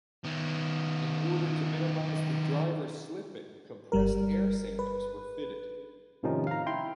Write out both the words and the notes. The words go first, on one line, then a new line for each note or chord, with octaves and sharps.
In order to minimise the drivers slipping, compressed air sanders were fitted.
D#3 B3
G1 G3 A#4
B4
A2 C3 D#3 F3 C#4 D#4
F5 A#5
E4 G5 C6